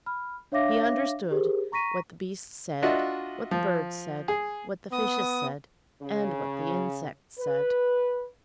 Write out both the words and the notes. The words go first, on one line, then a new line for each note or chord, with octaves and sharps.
He understood what the beasts said, what the birds said, what the fishes said, and what the insects said.
B5 F6
D4 C#5 E5 F5 D6 A#6
G4 G#4 A#4 C5
A#5 C#6 A#6 B6 D#7
D4 F4 F#4 D#5 E5 F#5
F3
G#4
B3 D#6
C#3
B4